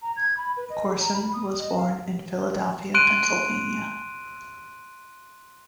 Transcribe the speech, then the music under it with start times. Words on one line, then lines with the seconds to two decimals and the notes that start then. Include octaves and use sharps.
Corson was born in Philadelphia, Pennsylvania.
0.02 A#5
0.16 G#6
0.37 B5
0.57 B4
0.70 D#5
0.88 G#4
1.01 A#5
1.14 B5
1.33 D#6
1.59 D#5
1.76 F5
2.94 C6 F#6 D7 D#7